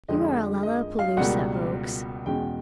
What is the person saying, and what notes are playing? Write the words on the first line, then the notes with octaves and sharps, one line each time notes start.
"You are a lalapazooza, Oakes."
F2 D3 F3 G#3 D#5
D#5
F5
C#2 B2 G3 A#3 F#5
E2 B2 G#3 C#4 G5